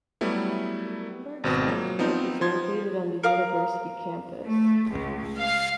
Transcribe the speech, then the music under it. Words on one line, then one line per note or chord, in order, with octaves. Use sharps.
The Limburg Science Park is located on the university campus.
F#3 G3 A3 B3 E4
G#1 B2 C4
F3 F#3 A#3
F3 B3 C4 D#4
F3 C6 G#6
A#4 F5 A#5 D#6
A3
C#2
F5